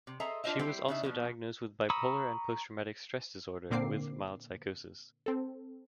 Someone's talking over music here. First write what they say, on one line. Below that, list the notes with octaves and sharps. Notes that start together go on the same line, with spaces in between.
She was also Diagnosed with bipolar and post traumatic stress disorder with mild psychosis.
C3
G#4 A4 C5 D#5 E5 A#5
D4 F4 C5 D#5 E5
G3 C4 E4 G4 C5 G5
C#3 D4 D#4 A4 E5
B2 F3 B3
A#5 B5 C#6 D#6 E6
A#2 D3 A#3 C4 D6 C7
C4 A4